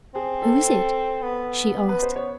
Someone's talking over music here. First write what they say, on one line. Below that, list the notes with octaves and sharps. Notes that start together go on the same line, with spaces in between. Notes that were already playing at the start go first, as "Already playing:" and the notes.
"Who is it?" she asked.
C4 G#4
A4
A4
B3
B4
C5
C#5